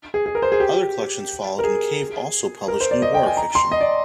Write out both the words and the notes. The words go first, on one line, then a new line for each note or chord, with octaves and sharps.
Other collections followed and Cave also published new horror fiction.
G#4
G#4
A#4
C5
G#4
G4
A#4
G#4
A#4
C5
D5
D#5
G5
G#5
A#5
C6
D#5
D5